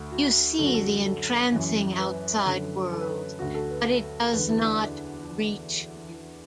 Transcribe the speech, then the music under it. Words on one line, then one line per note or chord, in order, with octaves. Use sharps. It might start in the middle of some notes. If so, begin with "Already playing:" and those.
You see the entrancing outside world, but it does not reach you.
Already playing: D2 D3
F#4
F#2 D3 A4
F#4
A4
A4
F#2 E3
B4
F#2 D3
A4
B4
A4
D2 D3 F#4
A4
B4
E2 D3 B4
E4
D4